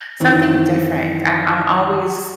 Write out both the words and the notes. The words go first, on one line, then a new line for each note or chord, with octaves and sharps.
Something different. I'm I'm always
F#2 D#3 E3 C4